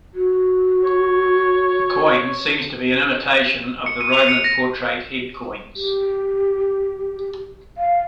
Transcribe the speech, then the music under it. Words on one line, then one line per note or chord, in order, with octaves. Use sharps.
The coin seems to be an imitation of the Roman portrait head coins.
F#4
C#5
C#7
D#7
F7
C#7
A#6
G4
F5